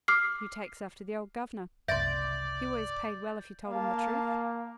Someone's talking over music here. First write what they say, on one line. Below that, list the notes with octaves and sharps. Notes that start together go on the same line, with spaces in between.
You takes after the old governor; he always paid well if you told him the truth.
D6 F6 C7
F#1 C2 D5 E5 C6 G6 A6
A#3 F5 A5